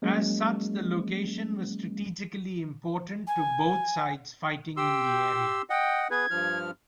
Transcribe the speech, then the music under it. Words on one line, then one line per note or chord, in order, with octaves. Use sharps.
As such, the location was strategically important to both sides fighting in the area.
F#3 G#3 A#3 C#4
G#5
G4 G5 C6 E6
D#5 F#5 G5
B3 G#4 B4 G#6
G2 F3 F6